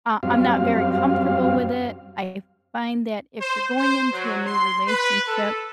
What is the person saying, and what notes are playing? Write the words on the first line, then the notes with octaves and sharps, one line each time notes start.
Uh, I'm not very comfortable with it. I find that if you're going into a new relationship
F#2 G3 C4 F5
C5
C5
F#3
C6
B4
A4